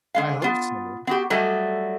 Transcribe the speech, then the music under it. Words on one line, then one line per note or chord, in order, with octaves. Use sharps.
I hope so.
D3 G#3 F5
B3 F4
B3 F#4 G4
F#3 G3 A3 A4 D#5